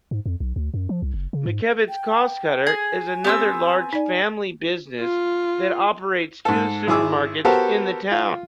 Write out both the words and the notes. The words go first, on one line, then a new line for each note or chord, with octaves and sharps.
McKevitt's "Costcutter" is another large family business that operates two supermarkets in the town.
G#2
F2
B1
D2
F#2
F3
C2
F#1
C#3
G#2
G5
G#4 G#5
B3 C4 G4 E6
D#4 D5
F4
G#2 A4
G#1 E4 G#4 D6 E6
B3 F#4 G4 A4 A#4 C5
F4